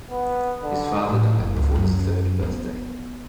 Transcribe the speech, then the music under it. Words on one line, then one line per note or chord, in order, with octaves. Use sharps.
His father died before his third birthday.
B3
D3
A2
F#1
C#2
F#2
B3